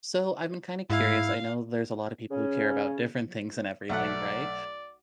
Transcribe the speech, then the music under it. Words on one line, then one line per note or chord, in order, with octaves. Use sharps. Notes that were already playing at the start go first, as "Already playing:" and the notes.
So, I've been kinda curious. I know there's a lot of people who care about different things and everything, right?
G#2 E4 F5
C#3 C#4
B1 A3 D5 F#5